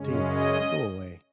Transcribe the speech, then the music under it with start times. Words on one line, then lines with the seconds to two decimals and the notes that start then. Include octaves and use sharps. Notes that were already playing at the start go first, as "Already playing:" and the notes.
Dean, go away.
Already playing: F#2 C#3 G#3 C#4
0.31 D#5